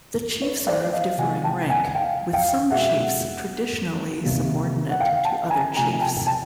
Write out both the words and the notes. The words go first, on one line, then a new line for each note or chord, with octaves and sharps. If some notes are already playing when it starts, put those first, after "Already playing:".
The chiefs are of differing rank, with some chiefs traditionally subordinate to other chiefs.
B4 C#5
C5 D5
D#5 F5
C3 F3 G#3 F#5 G#5
G5 A5
F#5 G#5
F5 G5
F5 G5
B2 G#3 E5 F#5
C3 D#3 G3 A#3
F#5
F5 G5
G5 A5
G#5 A#5
C3 F3 A3 G#5 A#5
G#5
G5 A5
G5 A5